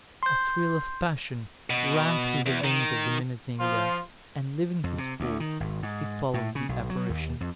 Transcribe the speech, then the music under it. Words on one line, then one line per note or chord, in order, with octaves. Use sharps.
A thrill of passion ran through the veins of the minnesinger; and, leaving his horse, he followed the apparition.
C6 G6
B2
E2
D#3
F3 F4
F2
C3
D2
D#3
G#1
G#2
A2
C#3
B1
F#3
D#2
F2